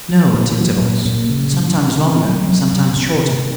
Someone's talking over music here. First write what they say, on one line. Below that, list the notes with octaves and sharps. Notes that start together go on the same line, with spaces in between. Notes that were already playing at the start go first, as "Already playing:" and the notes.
"No, at intervals; sometimes longer, sometimes shorter."
F#3
A#2
F#3
A#2
A#2
C#3
F#3
C#3
C4
F#3
F#3
C3
C3